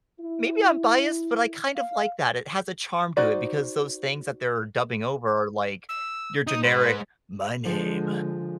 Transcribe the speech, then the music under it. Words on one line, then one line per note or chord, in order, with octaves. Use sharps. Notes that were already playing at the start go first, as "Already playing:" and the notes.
maybe I'm biased, but I kind of like that. It has a charm to it because those things that they're dubbing over are like your generic, "My name
E4
F5
D#4 F#4 C5 D5
E6
D#4 D#6
G#3 B4 C5
D3 F3 G#3 A4